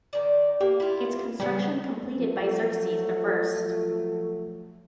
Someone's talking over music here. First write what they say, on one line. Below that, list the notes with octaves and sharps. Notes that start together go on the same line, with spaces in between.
Its construction completed by Xerxes the First.
D#3 D5
A#3 G4
E4 F4
C#3 G3 C4
F3 F#3 A3